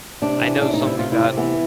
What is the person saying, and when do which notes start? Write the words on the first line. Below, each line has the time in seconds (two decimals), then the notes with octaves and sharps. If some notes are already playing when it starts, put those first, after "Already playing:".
I know something that
0.22 C3 D4
0.41 E3
0.61 C3 D4
0.74 D#4
0.81 C3
0.87 E4
0.99 C3 F4
1.12 E4
1.19 C3
1.24 C4
1.37 E3 B3